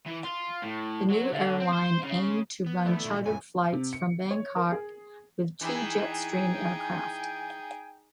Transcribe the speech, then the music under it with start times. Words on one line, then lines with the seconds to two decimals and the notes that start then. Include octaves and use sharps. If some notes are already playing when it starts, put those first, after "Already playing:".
The new airline aimed to run chartered flights from Bangkok with two Jetstream aircraft.
0.06 E3
0.24 F4
0.63 A2
1.10 F#3
1.33 D3
1.60 C4
1.73 C5
2.04 C#3
2.66 B3
2.85 D3 A3 E4
3.05 A#2 F4 E5
3.26 F#2 A#2 C#3 G#5
3.72 C3
3.93 C#7
4.31 C#5
4.56 A#4
4.72 G#4
5.61 E3 D#4 E4 G#4 G5 G#5